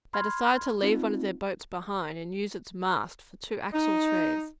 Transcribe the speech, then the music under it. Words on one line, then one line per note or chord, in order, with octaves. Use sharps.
They decided to leave one of their boats behind, and use its mast for two axle-trees.
B5 C6 F6 G#6
C4 D#4 F4
D#4